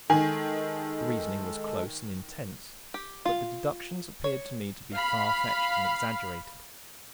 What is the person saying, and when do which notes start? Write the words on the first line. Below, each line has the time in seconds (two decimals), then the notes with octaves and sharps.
The reasoning was close and intense, but the deductions appeared to me to be far-fetched and exaggerated.
0.10 D#3 G#3 A4 G#5
2.94 G4
3.25 F4
4.24 C#5
4.93 F5 B5